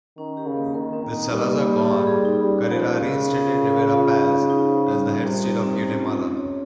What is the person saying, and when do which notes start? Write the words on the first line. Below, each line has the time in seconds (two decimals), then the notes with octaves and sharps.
With Salazar gone, Carrera reinstated Rivera Paz as Head of State of Guatemala.
0.18 D#3 C#4
0.37 G4
0.46 C#3
0.56 A#3
0.74 D#3 A#4
0.93 C4
1.03 D#3
1.12 D#4
1.31 G3 A#3
1.49 A#3
1.68 A#4
1.87 G#4
2.06 G#4
2.25 D#4
2.43 G3 C#4
2.62 G4
2.71 F3
2.81 G#3
2.99 C#3 A#4
3.18 A#4
3.38 F4
3.56 F4
3.75 F5
3.94 F4
4.12 D#4
4.31 G#4
4.50 D#4
4.68 C5
4.87 G3
5.06 F4
5.24 C3 G3
5.43 D#4
5.63 C4
5.80 C#4
6.00 F4
6.19 C#4
6.37 C#5